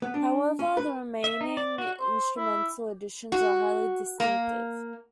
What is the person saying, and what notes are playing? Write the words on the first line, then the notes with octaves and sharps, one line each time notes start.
However the remaining instrumental additions are highly distinctive.
B3
D4
C#4
B4
E5
D#4
D5
F#4
C5
E4
F#4
A#3